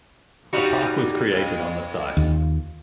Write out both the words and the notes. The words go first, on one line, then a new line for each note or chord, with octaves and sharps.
A park was created on the site.
G3 D#4 F#4
F2
D#2